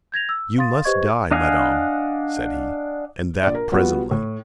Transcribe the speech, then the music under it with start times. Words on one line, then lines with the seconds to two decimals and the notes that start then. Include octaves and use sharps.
"You must die, Madam," said he, "and that presently."
0.12 G6 G#6 A#6 F7
0.29 E6
0.58 F5 C6 D#6 A6
0.85 G4 B4 C5 D#5 C#6 G#6
1.31 D4 D#5 F5 F#5 G#5
3.43 A#1 D5
3.55 A#4
3.72 G3 B3 F4 F#4
4.11 A2